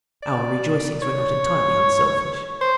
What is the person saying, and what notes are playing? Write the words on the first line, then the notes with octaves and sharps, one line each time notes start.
Our rejoicings were not entirely unselfish.
D5
C#5
C5